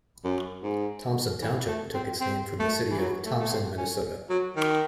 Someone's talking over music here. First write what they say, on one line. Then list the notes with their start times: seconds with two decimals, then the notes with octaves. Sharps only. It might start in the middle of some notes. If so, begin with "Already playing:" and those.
Thomson Township took its name from the city of Thomson, Minnesota.
0.24 F#2
0.63 G#2
1.42 E3
1.68 A3
1.94 C4
2.20 C4
2.59 A3
2.90 E3
2.99 F#3
3.26 A3
3.40 A3
3.51 C4
3.78 C#4
4.30 F#3
4.56 D#3